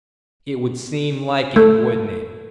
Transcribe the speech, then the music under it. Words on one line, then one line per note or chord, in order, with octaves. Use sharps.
"It would seem like it, wouldn't it."
A3